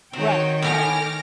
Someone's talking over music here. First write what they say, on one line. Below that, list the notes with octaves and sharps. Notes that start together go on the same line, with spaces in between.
Right, right.
D#3 C4 D#4 F#4 C#5 G5
A2 B3 G#5 D6 F6 A#6